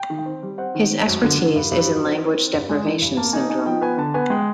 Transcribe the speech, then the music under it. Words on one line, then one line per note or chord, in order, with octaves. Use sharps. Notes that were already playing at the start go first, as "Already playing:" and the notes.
His expertise is in language deprivation syndrome.
Already playing: G5
D#3
C4
G3
C4 F#5
D#3
C4
F#2
D3
D3
G2
G2
F#3
C4
C4
C4
G2
G#3
E3
G2
A#3 A5
D#4 G#5
D#4 G#5
F3 G5
B3 G#5
D3 A5
B3 G#5
G#3 G5